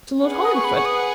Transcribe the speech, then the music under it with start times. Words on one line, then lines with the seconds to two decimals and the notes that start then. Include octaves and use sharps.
To Lord Hollingford?
0.23 G#4 B4 F#5
0.44 D#6
0.55 C#6
0.64 B5
0.76 C#6
0.85 D#6